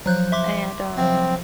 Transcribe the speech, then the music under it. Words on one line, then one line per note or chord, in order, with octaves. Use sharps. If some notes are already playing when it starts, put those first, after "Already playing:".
and, um,
F3 F#3 F#6 G6
E5 C6 D6
C2 F3 F#3 C4